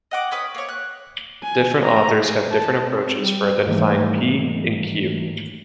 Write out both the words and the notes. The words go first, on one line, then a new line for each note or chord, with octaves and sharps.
Different authors have different approaches for identifying "p" and "q".
D#5 F#5 D6
C#4 B4 D#6
A#3 C#5
F#6
G#5
A#5
G#4
A5
C4
G3
G#2 D#3 E3 G3 A3 A#3